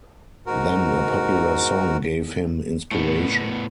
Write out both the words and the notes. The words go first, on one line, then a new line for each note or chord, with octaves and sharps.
Then a popular song gave him inspiration.
G#2 F#4 A#4
A2 B3